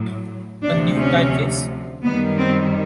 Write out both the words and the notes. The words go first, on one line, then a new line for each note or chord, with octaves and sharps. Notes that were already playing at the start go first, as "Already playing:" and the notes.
A New Typeface?
Already playing: A2 F#3
D2 C3 F3 D4
C#4
F#2 D#3 G3 B3
C4